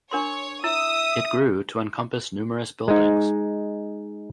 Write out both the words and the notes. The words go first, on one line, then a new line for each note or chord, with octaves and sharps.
It grew to encompass numerous buildings.
D4 A#4 C#5 C6
E4 E5 D#6 E6
G#3 D#4